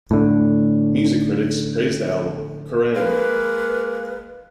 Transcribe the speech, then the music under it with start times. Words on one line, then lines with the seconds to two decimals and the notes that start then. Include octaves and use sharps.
Music critics praised the album; Kerrang!
0.11 A2 D3
2.96 G#3 A#3 B4